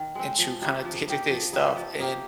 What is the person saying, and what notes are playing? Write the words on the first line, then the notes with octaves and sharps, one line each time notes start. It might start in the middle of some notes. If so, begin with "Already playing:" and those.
into kind of day-to day stuff, and
Already playing: D#3
G#3 C4
F3
A#3 D#4 G4
F3
A#3 D#4 G4
F3
A#3 D#4 G4
F3
A#3 D#4 G4